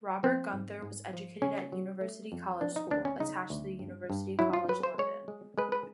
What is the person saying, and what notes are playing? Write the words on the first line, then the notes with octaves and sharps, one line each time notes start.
Robert Gunther was educated at University College School, attached to University College London.
F3 C4
G#2
G#2
F3
C#3 C#4
F#3
A3
F2
F3 D4
D#4
D2 D4
C#4
C#3 D#4
D2
G2
G2
F#3 E4
F4
F#3 B4
C5
G#3 C#5
G#3
G#3 B4
B4